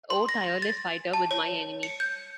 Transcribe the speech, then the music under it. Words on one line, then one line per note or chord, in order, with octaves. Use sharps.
O tireless fighter with my enemies!
C6
A#6
A6
A5
C#5
C#7
G6